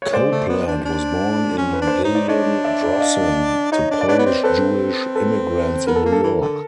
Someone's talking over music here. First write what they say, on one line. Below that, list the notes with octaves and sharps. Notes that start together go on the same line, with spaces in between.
Copeland was born Lillian Drossin to Polish Jewish immigrants in New York.
C#5
G#3 C5 D5
A3
B3
D4
D4
C#4
B4
D4
C5
D#4 C#5
D5
D4 C#5 D#5
D5 E5
D#5 F5
D#4 C#5 D#5
D4
D5
D4 B4 C#5
B3
C4
C4 A4 B4
A4 B4
B3 A#4
A4
A#3
A4
E3
D3